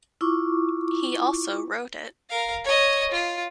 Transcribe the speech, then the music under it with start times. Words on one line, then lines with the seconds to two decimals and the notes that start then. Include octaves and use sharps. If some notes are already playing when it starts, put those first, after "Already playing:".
He also wrote it.
0.21 E4 F4 C#6 D6
2.30 A#4 F5
2.64 C#5 D#5
3.11 F4